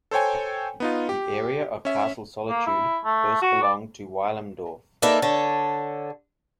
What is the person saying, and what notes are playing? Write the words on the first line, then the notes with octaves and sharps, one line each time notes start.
The area of Castle Solitude first belonged to Weilimdorf.
A4 C5 C#5 G5 G#5
B3 D#4 F4
G4
C#4 E5
A#3
E4
A3
F#4
D5
A#3 D#4 A4 B4 D5 E5
D3 A4 C#5